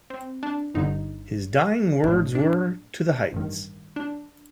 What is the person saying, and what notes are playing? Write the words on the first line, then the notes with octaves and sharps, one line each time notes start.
His dying words were, To the heights!
C4
D4
G1 G2 D3 D#4
A#1 A2 D4
D4
A1 G2 D#3
D4